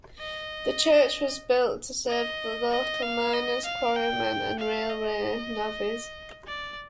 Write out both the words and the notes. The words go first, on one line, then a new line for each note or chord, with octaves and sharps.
The church was built to serve the local miners, quarrymen and railway navvies.
D#5
D#5
D#5
F5
D#5
F5
G5
F5
D#5
D5